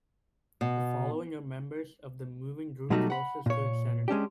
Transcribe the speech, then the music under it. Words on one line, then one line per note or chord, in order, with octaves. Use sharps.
The following are members of the moving group closest to its center.
B2
B2 F#3 G3 A3 D#4 F#4
F#5 B5
A#2 C#5
G#3 C#4 D4 G4